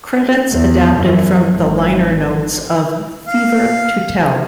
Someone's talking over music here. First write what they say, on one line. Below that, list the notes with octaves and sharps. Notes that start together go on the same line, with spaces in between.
Credits adapted from the liner notes of "Fever to Tell".
E2
F#2 E3
G#1
F5